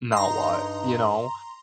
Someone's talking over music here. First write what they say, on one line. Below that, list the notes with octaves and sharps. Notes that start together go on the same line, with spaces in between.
now what, you know
G2 D#4 A#5 C6